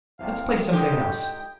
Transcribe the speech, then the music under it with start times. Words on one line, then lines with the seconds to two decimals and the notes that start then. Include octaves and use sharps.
Let's play something else.
0.19 C2 C3 F5 A5
0.73 D3 G#3 D#4 F4 G4 G5